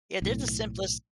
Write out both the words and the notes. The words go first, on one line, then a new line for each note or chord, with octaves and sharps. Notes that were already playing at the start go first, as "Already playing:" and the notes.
Yeah, there's the simplest
B1 A2